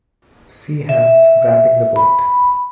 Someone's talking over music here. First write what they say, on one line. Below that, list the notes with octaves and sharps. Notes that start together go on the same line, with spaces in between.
Sea hands grabbing the boat.
E5
B5